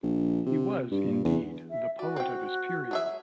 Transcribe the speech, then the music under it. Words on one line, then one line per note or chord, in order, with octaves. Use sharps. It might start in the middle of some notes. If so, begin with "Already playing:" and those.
He was, indeed, the poet of his period.
A#1
C3
G2
E2
E5
F#4 D5
C4 G5
F#3 G#4 E5